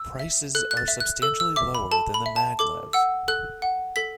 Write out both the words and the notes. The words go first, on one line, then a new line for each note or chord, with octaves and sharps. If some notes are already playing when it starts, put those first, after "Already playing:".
Prices are substantially lower than the Maglev.
Already playing: E6
E5
A4 F#6
F#6
A6
E5
F#6
A4 E6
E6
E5 D6
B5
A4 A5
B5
E5
A5
A4 D6
F#5 E6
A4 F#6
F#5
A4 B6